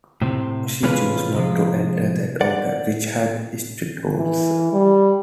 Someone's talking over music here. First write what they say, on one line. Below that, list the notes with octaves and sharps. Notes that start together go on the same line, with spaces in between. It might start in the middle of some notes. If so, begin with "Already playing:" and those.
She chose not to enter that order, which had strict rules.
A2 C3 C4
C3 E3 G#3 C#4 F4 B4
C3 F3 G#3
D5 F#5
E3
G3